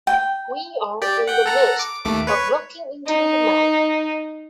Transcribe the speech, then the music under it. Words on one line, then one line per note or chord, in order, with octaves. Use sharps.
We are in the midst of looking into the matter.
G5
G4 D5
F#5 G5
A4 F#5 A#5
D6
D#2 A3 D6
B4 C#5
D#4